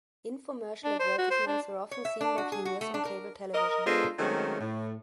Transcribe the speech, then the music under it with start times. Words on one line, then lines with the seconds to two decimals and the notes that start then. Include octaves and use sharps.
Infomercial advertisements were often seen by viewers on cable television.
0.84 D4
1.00 C5
1.18 F#4
1.31 C5
1.47 D4
1.91 C#5
2.05 E5
2.21 D4
2.38 F#4
2.52 G#4
2.65 F#4
2.81 A3
2.94 D4
3.05 A#4
3.54 A#4 D#5
3.86 G#3 B3 D4 F4 A4 C5
4.19 D#3 F#3 G#3 A3 C4 C#4
4.61 A2